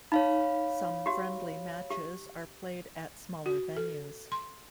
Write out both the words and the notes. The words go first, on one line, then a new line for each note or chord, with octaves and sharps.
Some friendly matches are played at smaller venues.
D#4 C#5 F5 B5
F#4 G4
G4
F#4
A4
C6